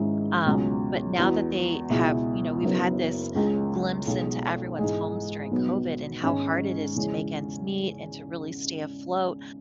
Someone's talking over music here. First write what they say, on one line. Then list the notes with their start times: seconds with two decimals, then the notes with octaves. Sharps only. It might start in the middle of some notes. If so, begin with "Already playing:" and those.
um, but now that they have, you know we've had this glimpse into everyone's homes during COVID and how hard it is to make ends meet and to really stay afloat,
Already playing: G#1 G#2 G#3 C#4 E4
0.46 C#2 B2 F#3 C#4
1.18 E2 E3 B3 F#4
1.90 C#2 B2 G#3 E4
2.62 F#1 F#2 F#3 B3
3.35 C#2 C#3 G#3
4.06 B1 B2 G#3
4.79 G#2 E3 G#3
5.51 B1 B2 F#3 B3
6.23 G#1 G#2 G#3 C#4
6.96 E2 C#3 G#3 C#4